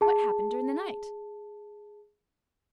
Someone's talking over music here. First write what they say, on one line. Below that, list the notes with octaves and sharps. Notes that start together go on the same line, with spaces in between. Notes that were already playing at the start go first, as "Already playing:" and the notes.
What happened during the night?
G#4 A5